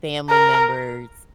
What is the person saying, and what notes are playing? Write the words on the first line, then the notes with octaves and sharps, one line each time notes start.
family members,
A#4